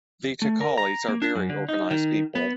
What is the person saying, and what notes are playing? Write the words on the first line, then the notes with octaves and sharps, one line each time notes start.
The Thakalis are very organized people.
A3
A#4
A#5
A#3
D4
F#2
D3
D#4
D#3
B3